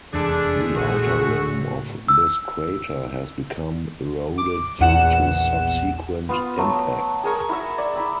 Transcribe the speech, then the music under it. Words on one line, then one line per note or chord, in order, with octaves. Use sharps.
The outer rim of this crater has become eroded due to subsequent impacts.
F1 E2 G#3 A3 D4 G#4
A#1 F#4
A2
E6
D6
A#1 E2 F#5 E7
B3 F4
F#3 A3
G#4 A#4 C#6
E4 F#4 E5
D5
E4 B5 E6